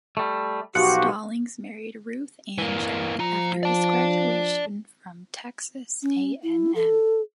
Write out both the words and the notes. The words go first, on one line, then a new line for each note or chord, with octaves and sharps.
Stallings married Ruth Ann Jack after his graduation from Texas A and M.
G3 A3
B1 F3 F#4 G4 F5 F#5
E3 A#3
F3 F4 A#5
D5 A5
C#4
E4
A4